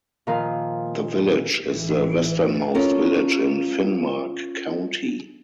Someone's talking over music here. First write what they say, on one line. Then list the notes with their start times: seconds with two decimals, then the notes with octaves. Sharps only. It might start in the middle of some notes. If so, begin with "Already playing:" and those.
The village is the westernmost village in Finnmark county.
0.27 A#2 D#3 F3 A#4 F5
1.67 A1 E3
2.74 C#4 F4 A4 A#4